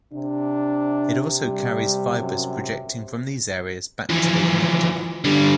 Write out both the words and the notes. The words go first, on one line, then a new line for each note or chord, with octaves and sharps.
It also carries fibers projecting from these areas back to the amygdala.
C3 D4
G3
F#2
E3 F3
D3 G3